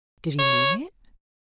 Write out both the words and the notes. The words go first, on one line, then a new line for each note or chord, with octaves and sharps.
"Did he mean it?"
C#5